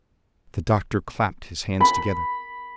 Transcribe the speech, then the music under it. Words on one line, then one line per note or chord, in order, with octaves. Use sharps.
The doctor clapped his hands together.
B5